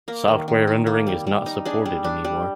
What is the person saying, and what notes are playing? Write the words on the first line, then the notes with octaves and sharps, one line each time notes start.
Software rendering is not supported anymore.
A#3 A#4
D#3
D#3
D#4
A#3
G3
G3
D#4
D4 G#4
G3
D4
G3